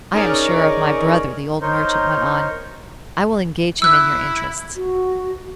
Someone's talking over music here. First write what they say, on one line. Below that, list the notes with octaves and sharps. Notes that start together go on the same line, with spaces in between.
"I am sure of my brother," the old merchant went on; "I will engage him in your interests."
C#4 D#4 G#4 A#4 C#5 D5
D#4 A#4 C5 C#5
E4 E6 F#6
F#4